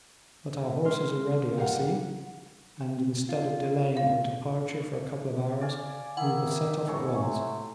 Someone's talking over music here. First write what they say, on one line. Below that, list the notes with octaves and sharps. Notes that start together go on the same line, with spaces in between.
But our horses are ready, I see; and, instead of delaying our departure for a couple of hours, we will set off at once.
G#3 C#4 C6 F6
A#1 E3 G3 G4 A#4 F5 F#5
F4
F5
D5 F5 G#5
D#3 E4 F#5
A2 G#5 C#6
C3